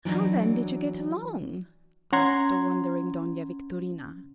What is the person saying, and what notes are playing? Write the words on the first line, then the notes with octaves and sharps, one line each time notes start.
"How then did you get along?" asked the wondering Dona Victorina.
E3 F#3 D4 D#4
C#4 F#5 A#5 C6 G#6